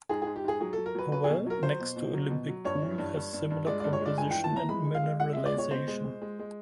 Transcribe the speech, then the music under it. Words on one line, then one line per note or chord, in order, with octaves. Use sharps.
A well next to Olympic pool has similar composition and mineralization.
G#2 G#4
G#4
G#2
G4
G#2 G#4
F#3 G#4
A4
F#3
A#4
F#3 B4
F#3 B4
G#4
B2
F#3 A#4
F#3 C5
B2
B2
F#3
B2
F#3
G2 C#5
E3
G2
G2
G2
G2
G#3 D5
G2 D5
C#5
G#3 D5
G2 G#5
G5
E3
A5
E3 A#5
G#3 B5
G#3
F5
G#3
G#3 F#5
G#3 E5
D5
B2
C#5
B2 C5
G#3
G#3
G#3
G#3